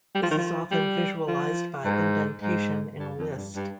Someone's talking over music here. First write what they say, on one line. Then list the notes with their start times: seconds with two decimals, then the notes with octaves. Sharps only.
This is often visualized by indentation in a list.
0.15 G3
0.23 F3
0.31 D#3
0.38 F3
0.71 G3
1.28 F3
1.84 G#2
2.42 G#2
2.98 G2
3.17 F2
3.36 G2
3.55 G2